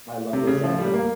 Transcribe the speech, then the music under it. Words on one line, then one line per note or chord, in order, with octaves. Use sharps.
I love lasagna,
C3
C#3
F3
G3
A#3